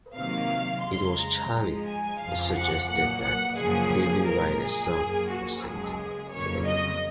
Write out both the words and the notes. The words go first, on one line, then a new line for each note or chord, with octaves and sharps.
It was Charlie who suggested that Dave write a song for Saint Helena.
C3 D#3 F#3 A#3 F5
F2 C#3 G#3 C6
A#5
G#2 F3 G#3
G#5
F2 C#3 F3 F5
F#5
A#2 F#3 A#3 F#5
F#5
F#2 C#3 F3 A#3 G#4
A#2 G#3 A#4
G#4
F#2 F3 A#3
F#4
F#2 C#3 G#3 G#4
F2 C#3 F#3 A#3 C#5
D#5